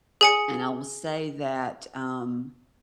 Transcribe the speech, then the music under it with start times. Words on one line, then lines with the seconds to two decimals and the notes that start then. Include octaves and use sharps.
And I will say that, um
0.21 G#4 G#5 C#7